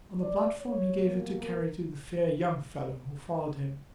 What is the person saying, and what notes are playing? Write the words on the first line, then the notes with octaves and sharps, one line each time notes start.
On the platform he gave it to carry to the fair young fellow who followed him.
D5
C#5
B2 A#3
A#4